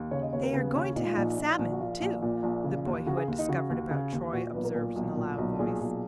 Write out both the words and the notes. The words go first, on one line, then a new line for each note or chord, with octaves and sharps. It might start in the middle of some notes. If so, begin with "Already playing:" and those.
"They are going to have salmon, too," the boy who had discovered about Troy observed in a loud voice.
Already playing: D#2
C#3 C#5
D#5
D#2 C#5
A#4
C#3 B3
D#2 C#4
A#2 D#4
F4
A#1 D#4
A#2
A#1
F#4
A#2 F4
A#1
A#2
A#1
C#3
D#2
C#3 F#4
G#4
D#2
D#4
C#3 F#4
D#2
C#3
D#2
A#2 F#4
B1 B4
A#4
A#2 A#4
B1
A#2
B1
A#2 G#4
B1